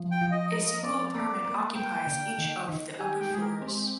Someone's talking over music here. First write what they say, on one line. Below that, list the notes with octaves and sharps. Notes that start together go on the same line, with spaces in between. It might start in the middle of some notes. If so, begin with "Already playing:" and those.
A single apartment occupies each of the upper floors.
Already playing: F3
G5
F3
D#5
A#4 D#5
C4 D5
A#3 D5
A#3
A#3 G5
D3
D#3
D#3
G4 G#5
G5
G#3 G#4
A#4
C4